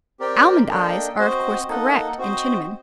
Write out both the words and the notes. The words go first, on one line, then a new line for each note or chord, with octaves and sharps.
Almond eyes are of course correct in Chinamen.
C4 G4 A#4 D5 G5
A#3 D4 A4 D#5 G5
C4 F#4 C5 D#5
A#3 D#4 A4 D#5 F#5
C4 F#4 C5 D#5